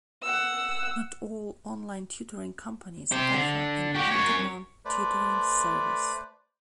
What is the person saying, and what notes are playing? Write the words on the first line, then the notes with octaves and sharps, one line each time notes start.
Not all online tutoring companies offer an on-demand tutoring service.
F#5 E6
G4 C5
D3
F#4 G4
F#2 C#5
A3 B4 C5 D5